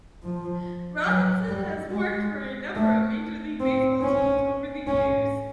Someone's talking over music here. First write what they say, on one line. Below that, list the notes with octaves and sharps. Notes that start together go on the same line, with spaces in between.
Robinson has worked for a number of Major League Baseball teams over the years.
F3
F#3
G3
G#3
A3
C4
C#4
C#4